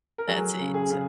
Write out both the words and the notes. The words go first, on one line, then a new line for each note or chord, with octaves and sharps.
That's it, so
A#4
F#3 G#4
C#3
G#4
C#3